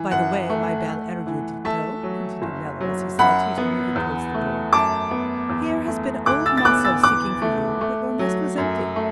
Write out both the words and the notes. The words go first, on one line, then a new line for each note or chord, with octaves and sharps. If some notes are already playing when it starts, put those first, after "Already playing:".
By the way, my bel erudito," continued Nello, as he saw Tito moving towards the door, "here has been old Maso seeking for you, but your nest was empty.
Already playing: E3
F#2 F#5
A3
A3
E3
A3 E5 A5
F#3
F#1
F#3
F#2 F#5 B5
B3
E2
A3
F#2 A5 D6
B3
E2
A3
D2 D6 F#6
E6 A6
A6
B3 D6 F#6
E6 A6
E2 D6 F#6
A3
A3
F#3
F#2
A3